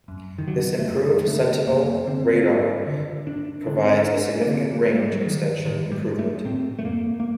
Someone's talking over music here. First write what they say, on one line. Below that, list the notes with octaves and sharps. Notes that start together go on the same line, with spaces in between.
This Improved Sentinel Radar provides a significant range extension improvement.
F#2
D#3
D3 F#3
A3
F#2 G3
D3 A3
F#2 A#3
D3 C4
G2
D3
G2 D4
D3 D4
C4
D4
G2 D4
A#3
D3 C4
A#3
G2 A3
G3
F#3
D3 D#3
A2 D#3
G3
A3
A2 C4
A3
A#3
A#3